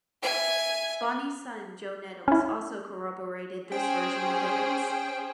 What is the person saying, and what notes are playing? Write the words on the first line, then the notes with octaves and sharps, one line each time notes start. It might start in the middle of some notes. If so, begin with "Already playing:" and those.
Bonnie's son, Joe Nettles, also corroborated this version of events.
E5 G#5
C#4 E4
C#4 G#4 C5 G5